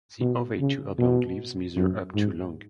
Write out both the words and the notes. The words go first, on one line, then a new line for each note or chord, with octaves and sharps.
The ovate to oblong leaves measure up to long.
B2
C#3
B2
F#2
G#2